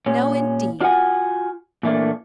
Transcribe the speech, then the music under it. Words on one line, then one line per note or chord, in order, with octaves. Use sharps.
No, indeed!
A#2 C#4
D4 F4 F#4 C5 F#5 G#5
A#2 E3 A3 A#3 D4